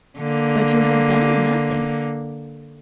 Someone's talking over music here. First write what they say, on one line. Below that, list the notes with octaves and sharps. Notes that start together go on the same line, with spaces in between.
'But you have done nothing.'
D3 A#3